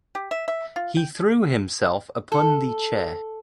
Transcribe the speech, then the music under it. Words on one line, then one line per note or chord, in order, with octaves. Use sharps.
He threw himself upon the chair.
G4
E5
E5
F4
G5
A4